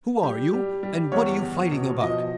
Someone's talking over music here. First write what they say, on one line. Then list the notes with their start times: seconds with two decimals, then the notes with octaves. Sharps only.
"Who are you? and what are you fighting about?"
0.23 G3 G4
0.53 G3
0.83 G3
1.12 E2 C#5
1.42 E2
1.72 B2
2.01 F3 D#5